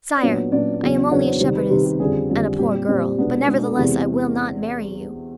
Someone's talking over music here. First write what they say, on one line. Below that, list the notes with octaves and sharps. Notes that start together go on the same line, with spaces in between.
"Sire, I am only a shepherdess, and a poor girl, but, nevertheless, I will not marry you."
D5
A#2 F#3 B3 D4 C#5
A#2 F#3 B3 D4 D5
E2 C#3 F#3 B3 D4
E2 C#3 F#3 B3 D4 C#5
C5
C3 D#3 G3 C5
B4
C3 D#3 G3 G4
G4
F2 D3 G3 G#4
F2 D3 G3
A#2 G3 C4 G4
G4
A#2 G3 C4 G4
B2 G#3 B3 D4
B2 G#3 B3 D4 G#4
A4
E2 C3 E3 G#3 C4